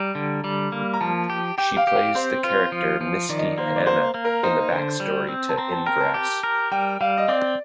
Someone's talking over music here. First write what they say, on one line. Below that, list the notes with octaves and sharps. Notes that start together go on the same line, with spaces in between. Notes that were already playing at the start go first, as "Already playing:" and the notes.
She plays the character Misty Hannah in the backstory to "Ingress".
Already playing: G3 A#5
D3
G3
A#3
A#5
F3 A5
G4
G4 G5
F5
G4
F5
C4 C5
F4
F3
F3
D#3 D5
D#5
D5
A#3 C5
D5
A#3 C5
A#3
A#4
D#4 C5
D3
G3
C4
A5
C4 A#5
A5
A#4 G5
A5
G4
A#4
G3 G5
G3 F5
D#5
C4 D5